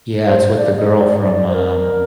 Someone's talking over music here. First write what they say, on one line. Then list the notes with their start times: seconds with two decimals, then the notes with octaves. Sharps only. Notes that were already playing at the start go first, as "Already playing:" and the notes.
Yeah, it's with the girl from, um,
0.23 C5
0.56 D5
0.77 D#5
0.99 D5
1.21 D5
1.49 C5
1.54 A#4